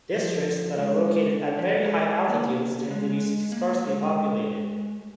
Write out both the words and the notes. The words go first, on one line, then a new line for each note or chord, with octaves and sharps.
Districts that are located at very high altitudes tend to be scarcely populated.
F3
G#3
F3
G#3
A#3
G#3
A#3
G#3